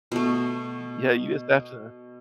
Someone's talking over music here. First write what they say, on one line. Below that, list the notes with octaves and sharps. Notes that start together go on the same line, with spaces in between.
Yeah, you just have to
B2 A3